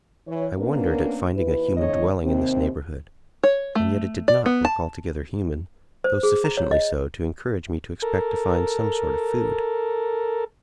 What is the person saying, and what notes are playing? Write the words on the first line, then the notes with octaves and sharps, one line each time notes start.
I wondered at finding a human dwelling in this neighbourhood; and yet it did not look altogether human, though sufficiently so to encourage me to expect to find some sort of food.
E3 C#5
A#3 B3 C#4 D4 A#4
D#2 E4 B4
F2 A2 D3 C#5 D#5
D#2 C3 C4
C#5
A3
D5
B3
A5
C5
G#4
A#5
C#5
D#5
A4 A#4